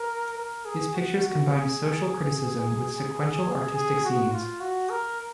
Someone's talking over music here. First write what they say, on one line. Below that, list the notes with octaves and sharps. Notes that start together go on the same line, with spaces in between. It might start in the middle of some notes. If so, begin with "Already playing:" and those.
His pictures combined social criticism with sequential artistic scenes.
Already playing: A#4
A#4
G#4
F#4
F#4
G#4
G#4
F#4
F4
F#4
A#4